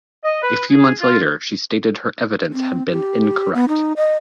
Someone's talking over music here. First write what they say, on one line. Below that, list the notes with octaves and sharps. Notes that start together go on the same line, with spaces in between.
A few months later she stated her evidence had been incorrect.
D#5
B4
G#4
F4
C4
G4
B3
D#4
D#5